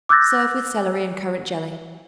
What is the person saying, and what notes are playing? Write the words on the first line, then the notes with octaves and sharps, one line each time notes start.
Serve with celery and currant jelly.
D6 E6 F#6 G6 A6 A#6